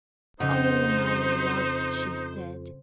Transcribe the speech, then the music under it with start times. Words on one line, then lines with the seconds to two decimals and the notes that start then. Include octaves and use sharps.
"Oh, my love!" she said.
0.40 F2 C#3 D#4 C5 D#5 F#5